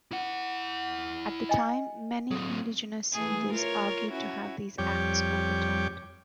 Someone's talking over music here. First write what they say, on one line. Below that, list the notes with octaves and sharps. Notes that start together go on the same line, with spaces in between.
At the time, many Indigenous leaders argued to have these acts overturned.
E4 F#5
D#5 G#5
F#3 C4 A4
E3 A3 G#4
F4 A#4 C#5
C#4 E4 F#4
F2 G3 C#5 G5 D6